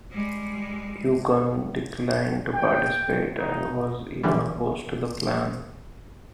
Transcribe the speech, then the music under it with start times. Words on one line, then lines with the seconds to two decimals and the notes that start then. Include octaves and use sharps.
Ukon declined to participate and was even opposed to the plan.
0.11 G3 G#3
2.53 G5
3.37 D#4
4.23 A#1 D3 E3 G3